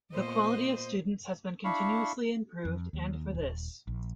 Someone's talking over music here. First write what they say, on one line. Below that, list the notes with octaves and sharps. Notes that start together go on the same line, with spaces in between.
The quality of students has been continuously improved and for this.
A#2 B3 C5 D#5
D4 E4 F5 B5 C#6
F2
D#2
D#1
A#1